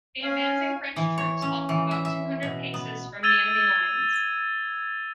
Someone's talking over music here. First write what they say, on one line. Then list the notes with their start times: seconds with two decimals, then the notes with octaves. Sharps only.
The advancing French troops halted about two hundred paces from the enemy lines.
0.23 C#4 F5 G#5
0.96 E3
1.18 C#5
1.42 C#4
1.69 E3
1.91 E5
2.05 E5
2.43 B2
2.74 B3
3.23 E6 G#6 A6 D#7 F7 G7